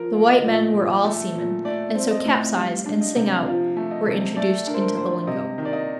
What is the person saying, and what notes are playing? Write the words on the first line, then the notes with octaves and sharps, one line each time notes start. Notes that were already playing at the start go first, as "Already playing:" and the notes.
The white men were all seamen, and so capsize and sing out were introduced into the lingo.
Already playing: F3 A#4
A#3
D#5
A#2
F3
A3
A#2
A3 D5
C4
D#5
A2
G3 F5
D4
D#5
C3
F3 F5
A3
D#5
C3
A3 D5
D4 A#4
C5
A#4
A2 C5
C3 D#5
D#3
D5
D#5